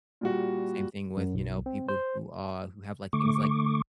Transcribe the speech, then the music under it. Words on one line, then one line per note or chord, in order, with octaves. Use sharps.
Same thing with, you know, people who, uh who have like things like
A#2 G3 F#4
F#2
B1
C4
C5
D3 A3 C#6 D6